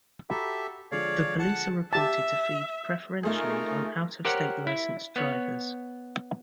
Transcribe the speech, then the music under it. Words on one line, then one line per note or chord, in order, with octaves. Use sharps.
The police are reported to feed preferentially on out-of-state licensed drivers.
F#4 G4 A4 E5 A#5 B5
D3 F3 G#3 C#5 D5 F5
F#5 A5
G4 E5 A5
A3 D#4 F4 G#4 A#4
G4 A#4 C5 C#5 F#5
E4
B3 C#5